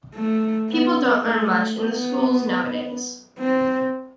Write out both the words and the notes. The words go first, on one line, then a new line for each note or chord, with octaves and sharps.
People don’t learn much in the schools nowadays.
A3
B3
A3
B3
C4